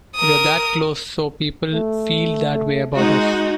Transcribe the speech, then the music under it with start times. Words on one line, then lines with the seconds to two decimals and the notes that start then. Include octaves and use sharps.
We're that close so people feel that way about us.
0.16 A#4 D#6
1.73 A3
2.94 G#3 D#4 F#4